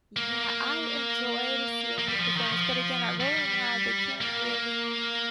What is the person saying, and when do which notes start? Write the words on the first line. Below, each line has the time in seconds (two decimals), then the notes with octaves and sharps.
yeah, I enjoyed seeing his performance, but again, at Rolling Loud, they can't really
0.16 A#3
1.99 A#3
2.08 G3
2.19 F3
2.36 D#3
2.53 F3
3.20 G3
4.21 A#3